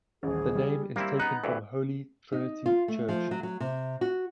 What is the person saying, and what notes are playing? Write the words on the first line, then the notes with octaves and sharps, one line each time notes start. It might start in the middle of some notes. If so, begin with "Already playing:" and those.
The name is taken from "Holy Trinity Church".
D#1 A1 G#4
G3
G3 A#3 C4 E4
B3 D#4 A#5 F#6
D2 G2 E3 E5
D#4
F4
A3
F3
F#3
F#3
C3
F#4